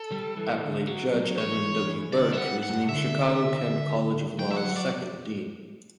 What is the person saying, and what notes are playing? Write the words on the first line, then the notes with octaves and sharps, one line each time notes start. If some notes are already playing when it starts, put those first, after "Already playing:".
Appellate Judge Edmund W. Burke is named Chicago-Kent College of Law's second dean.
Already playing: A4
G3
E3
D3
F#3
F#3
E3 C#5
D3 D5
G3 E5
F#5
F#5
G2
D3 E5
F#3 G5
E5
F#5
F#3
D5